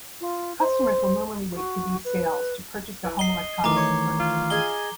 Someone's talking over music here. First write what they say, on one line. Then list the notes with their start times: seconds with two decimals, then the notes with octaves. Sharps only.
Customers will normally wait for these sales to purchase their home electronics and furniture.
0.20 F4
0.59 C5
1.53 F#4
2.04 B4
3.04 E3
3.19 D#5 C7 G7
3.64 D#3 E3 A3 F4 A#5 D6
3.76 C#5
4.20 F4
4.50 G#4 D#5 G#5 G7